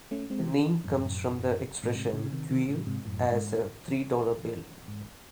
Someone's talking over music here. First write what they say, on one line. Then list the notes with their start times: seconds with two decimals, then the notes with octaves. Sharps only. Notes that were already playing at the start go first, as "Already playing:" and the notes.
The name comes from the expression "Queer as a three dollar bill".
0.11 A3 C#4
0.30 G#3 C4
0.39 E3
0.48 C3 D#3
0.84 F#2 A2
1.83 A2
1.95 G#2 C3
2.13 A2 C#3
2.24 C#3
2.32 C3 D#3
2.49 C3 D#3
2.69 A2 C#3
2.86 G#2 C3
3.05 F#2 A2
3.32 G#2
4.88 G#2